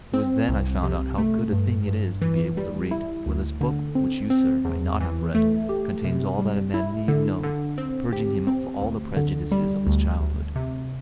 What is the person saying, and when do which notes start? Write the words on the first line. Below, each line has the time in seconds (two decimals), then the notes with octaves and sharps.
It was then I found out how good a thing it is to be able to read, for this book, which you, sir, may not have read, contains all that a man need know--purging him of all the prejudices of his childhood.
0.14 C4
0.49 C2
0.83 C3
1.18 A3
1.52 G2
1.88 G2
2.22 E3
2.57 G3
2.91 E4
3.26 D2
3.61 D3
3.95 C4
4.30 C4
4.65 E2
5.00 E3
5.35 A3
5.69 G4
6.04 C3
6.39 G3
6.74 E4
7.08 D3
7.44 D3
7.78 C4
8.13 G4
8.47 C4
8.82 D2
9.17 D3
9.52 G3
9.87 D2
10.20 D2
10.56 C3